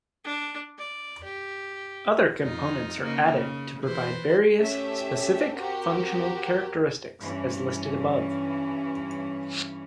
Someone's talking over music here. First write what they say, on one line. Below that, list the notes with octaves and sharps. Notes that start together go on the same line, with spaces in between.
Other components are added to provide various specific functional characteristics as listed above.
D4
D5
G4
F2 D#4 F4
C#3 A#3 D#4
C#3
E3 B4 C5
A3 C#4 G4 E5
C4 F#4 G4 A#4
G2 E3 C#4